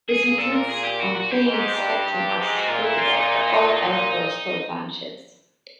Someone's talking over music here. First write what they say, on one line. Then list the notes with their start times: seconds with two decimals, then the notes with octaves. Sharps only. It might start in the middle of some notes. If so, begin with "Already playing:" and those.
This includes obtaining spectrum access critical for all Air Force core functions.
0.09 G#4
0.23 A#2 G#4
0.38 A4
0.53 A#4
0.69 G#4
0.84 G4
1.00 F#4
1.15 F#4
1.31 G4
1.46 G#2
1.77 G2
2.06 G2
2.37 G#2
2.56 F#4
2.68 A#2 F4
2.83 E4
2.98 F4
3.13 D#4